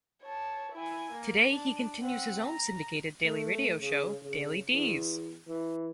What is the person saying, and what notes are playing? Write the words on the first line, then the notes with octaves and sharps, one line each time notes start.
Today he continues his own syndicated daily radio show, "Daily Dees".
C#5 A5
E4 G#5
A#3
D4
C4 F#5
A#5
A3
C#3
C#3
E2
E3